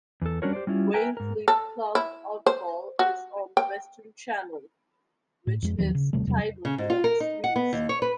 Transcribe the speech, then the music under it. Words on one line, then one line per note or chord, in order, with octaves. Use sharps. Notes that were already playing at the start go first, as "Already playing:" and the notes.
Wainfleet Clough Outfall is on the western channel, which is tidal below the sluice.
E2 A4
G3 C#4 D4 F#4 A#4 C#5
G4 C5 D5
G3 C#4 E4 F4
A#4 B4 E5 G5 G#5 A#5
G#2 A#4
A4
E4
C5
F#4
G5
A2
F2 G#3
D#2 D#3 F3 F#3
C#3
D#1 C3 G3 A3
E2 C3 F#3 G3
C#3
G#2
F4
A#4
D#4
F#5
B3
D#2
C#5
B4